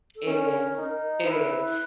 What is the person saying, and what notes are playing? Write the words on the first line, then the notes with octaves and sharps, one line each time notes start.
It is, it is,
A4
C#4 A#4
D#4
E4 B4
A#4
B4